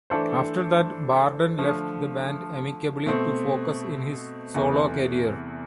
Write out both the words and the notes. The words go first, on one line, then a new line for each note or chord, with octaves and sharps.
After that, Barden left the band amicably to focus in his solo career.
E3 A3 D4 A4 C5
D3 F3 A3
B2 A3 C4
E2 C3 E3 A3